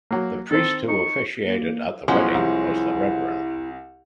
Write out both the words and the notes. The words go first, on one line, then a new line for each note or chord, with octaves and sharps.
The priest who officiated at the wedding was the Revd.
F#3 A#3
D#3 C4 A4
D#4 C#6
A#3
B1 F3 G#3 C#4 E4 F#5
C2